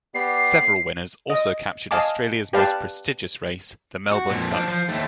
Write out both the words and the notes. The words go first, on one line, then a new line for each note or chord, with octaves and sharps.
Several winners also captured Australia's most prestigious race, the Melbourne Cup.
B3 G4 D5 C7
D#5
D#5 F5 G#5 A5 D6
G4 B4 D5 F5 G5 A5
F#4
F2 A#2
F3 D4
F3
D#2 A3